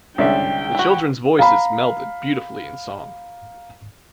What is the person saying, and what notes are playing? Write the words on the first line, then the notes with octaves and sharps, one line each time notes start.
The children’s voices melded beautifully in song.
C2 D3 G#3 C#4 D5 E5 G5
E4 F#4
F5 A#5 B5